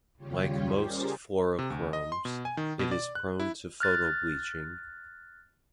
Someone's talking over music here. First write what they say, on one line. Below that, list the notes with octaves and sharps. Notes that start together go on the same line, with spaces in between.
Like most fluorochromes, it is prone to photobleaching.
D#2 C#3 G3 F4 G4 C#5
C#4 G4 G#4 A#4 C5 D5
C3
D2
D#5
C6
B2
G#5
D#3
B2
D5
F#6
E4
F6 F#6 A6